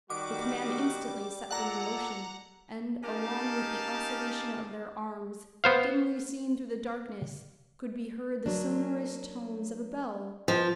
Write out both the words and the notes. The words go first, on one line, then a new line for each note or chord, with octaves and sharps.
The command instantly set them in motion; and, along with the oscillation of their arms--dimly seen through the darkness--could be heard the sonorous tones of a bell.
D#3 G3 F#4 D6
A#2 A4 D5 F#5 A#5
C#4 D#4 G4 A#4 F5 A5
B3 C5 F5
F#3 A#3 D4
F3